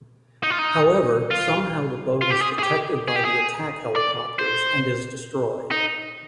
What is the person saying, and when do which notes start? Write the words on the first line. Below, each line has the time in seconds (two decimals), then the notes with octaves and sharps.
However, somehow the boat is detected by the attack helicopters and is destroyed.
0.43 D#4
0.50 F4
0.59 D#4
1.31 F4
2.21 F4
2.31 G4
2.41 G#4
2.59 G#4
2.63 G4
3.08 G#4
3.16 G4
3.25 G#4
3.96 D5
4.39 C5
5.71 D#4